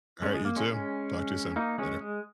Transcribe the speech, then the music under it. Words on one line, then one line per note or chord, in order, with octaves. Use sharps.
All right, you too. Talk to you soon. Later.
G#3 C#4
G#3
A#3
G#3 C#4
G#3 C#4
A#3 D#4
G#3 C#4
G#3